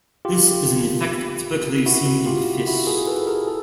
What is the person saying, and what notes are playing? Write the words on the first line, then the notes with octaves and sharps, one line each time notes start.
This is an effect typically seen in fish.
F4 G4
E4 F#4
F4 G4
E4 F#4
G#4 A#4
A4 B4
G#4 A#4
A4